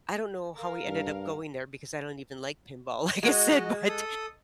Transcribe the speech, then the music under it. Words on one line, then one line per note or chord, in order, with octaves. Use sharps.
I don't know how we ended up going there because "I don't even like pinball," like I said, but,
A#4 F5
G2
G#3 F#4 D#5
A4 D#6